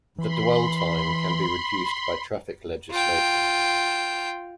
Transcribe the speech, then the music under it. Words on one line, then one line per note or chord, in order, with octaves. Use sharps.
The dwell time can be reduced by traffic legislation.
E3 B5 C6
F4 G5